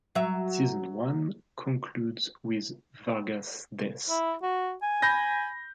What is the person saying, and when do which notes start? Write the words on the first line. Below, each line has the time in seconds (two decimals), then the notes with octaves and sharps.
Season one concludes with Vargas' death.
0.15 F#3 E5
4.10 E4
4.42 F#4
4.82 G#5
5.02 B5 G6 A#6